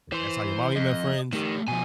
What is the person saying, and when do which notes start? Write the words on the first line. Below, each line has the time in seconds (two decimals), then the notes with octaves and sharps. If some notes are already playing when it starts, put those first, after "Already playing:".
and that's how your mommy met friends,
0.12 E3 C5 C6
0.76 F2 D#5
1.33 D#3 A3 G4
1.68 B2 F3 G#5